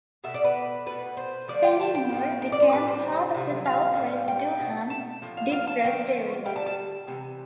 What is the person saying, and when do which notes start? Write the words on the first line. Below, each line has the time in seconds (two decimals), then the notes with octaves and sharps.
Spennymoor became part of the South West Durham depressed area.
0.24 B2 A3 E5
0.34 D5
0.44 B4
0.86 B2 A3 B4
1.17 C5
1.48 D3 F3 A3 D5
1.64 G5
1.80 A5
1.95 G5
2.10 A2 F3 A3
2.42 G5
2.52 D5
2.63 C5
2.73 A2 G3 B4
2.88 C5
3.35 C3 F3 A3
3.66 F5
3.97 A2 G3
4.28 G5
4.59 B2 A3
4.90 A5
5.22 A2 F3
5.37 F5
5.52 F5
5.67 A5
5.83 D3 F3 A3 G5
6.45 D3 G3 G5
6.56 A5
6.66 A5
7.07 C3 E3